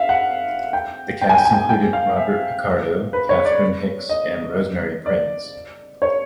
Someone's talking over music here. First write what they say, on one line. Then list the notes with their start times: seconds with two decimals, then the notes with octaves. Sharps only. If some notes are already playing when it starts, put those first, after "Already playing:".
The cast included Robert Picardo, Catherine Hicks, and Rosemary Prinz.
Already playing: E5 F5
0.09 F#5
0.73 G5
1.22 G5
1.29 G#5
1.38 G5
1.45 G#5
1.53 G5
1.69 G5
1.93 F5
2.17 E5
3.13 B4
3.29 C#5
3.45 D5
4.09 D#5
5.06 D5
6.02 C#5